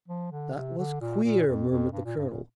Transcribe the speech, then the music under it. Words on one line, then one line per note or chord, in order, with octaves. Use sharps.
"That was queer," murmured the colonel.
F3
D3
C3
D3
A#2
A#2
F2
F2
G2
A#2
G2
A#2